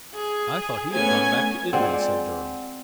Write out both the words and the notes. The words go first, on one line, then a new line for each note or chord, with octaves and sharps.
"I thought he had gone back to Italy," said Durham.
G#4
A3 B3 C#4 G#5 G#6
G#3 C4 F4 D5 F#5 G#5